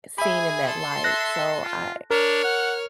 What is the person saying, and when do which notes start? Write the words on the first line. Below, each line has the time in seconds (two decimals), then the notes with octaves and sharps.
seen in that light, so I
0.18 G#4 E5 G#5 B5
0.66 A4 C6
1.04 E5 F#6 A#6
1.63 F4
2.11 D4 A#4 C#5 F6
2.44 F#5